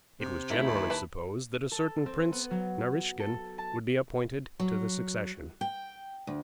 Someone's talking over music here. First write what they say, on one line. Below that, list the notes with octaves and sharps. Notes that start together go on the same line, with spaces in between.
It was generally supposed that a certain Prince Naraskin would be appointed to the succession.
C3
D#3 A3 B3 E4
D#2
B4
B4 A5 B5
A4
C4
B3
F#3
A4
A5
F#3
G5
D2